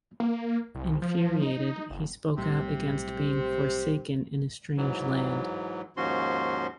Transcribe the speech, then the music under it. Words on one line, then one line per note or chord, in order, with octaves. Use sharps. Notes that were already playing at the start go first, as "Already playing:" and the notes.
Infuriated, he spoke out against being "forsaken" in a "strange land".
A#3
C2
F3
D#4
F#1
B1 A2 C3 G3
G#2 E3 F#3
D#2 G#2 F3 C#4 F#4 C6